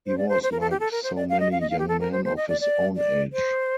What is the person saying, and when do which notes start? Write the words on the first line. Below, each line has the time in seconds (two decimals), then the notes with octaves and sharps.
He was like so many young men of his own age.
0.07 C5
0.18 D5
0.29 C5
0.43 C5
0.52 A#4
0.61 A4
0.71 G4
0.80 A4
0.92 A#4
1.04 C5
1.16 D5
1.29 F5
1.40 D#5
1.52 F5
1.61 D#5
1.70 F5
1.79 G4
1.88 A4
2.00 A#4
2.12 C5
2.25 C5
2.37 D#5
2.49 D5
2.61 D5
2.97 D5
3.33 C5